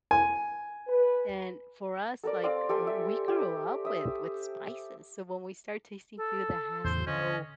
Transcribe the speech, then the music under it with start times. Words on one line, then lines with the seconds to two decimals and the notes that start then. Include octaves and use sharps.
and for us, like, w we grew up with with spices, so when we start tasting food that has no
0.11 G#5
0.88 B4
2.24 A4 A#4 D5
2.44 C4 D5 F5
2.69 G4 A4 G#5 C6
2.87 E5
3.28 G4
3.85 E5 D#6
6.17 A4
6.84 E2 A2 C#3 C5
7.07 D3 C#4 D#5